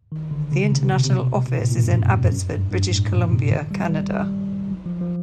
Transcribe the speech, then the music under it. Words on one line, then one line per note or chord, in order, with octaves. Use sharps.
The International Office is in Abbotsford, British Columbia, Canada.
D#3
D3
C#3
C3
B2
C3
B2
A2
A#2
G2
F#2
F2
F#2
G2
G2
A2
A#2
C3
D#3
G3
G3
G3
F#3
F3
F3